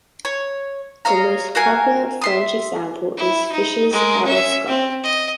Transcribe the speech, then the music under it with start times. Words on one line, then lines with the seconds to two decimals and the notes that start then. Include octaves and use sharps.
The most popular French example is Fischer's Adelscott.
0.25 C#5
1.05 C#5 D#5 F5 A#5
1.55 F#4 A#4 F5 G#5
2.21 E5 C6 D#6
3.17 E4
3.52 D#4
3.92 G#3 A#4
4.25 C#4 E5
4.67 C4
5.03 D#5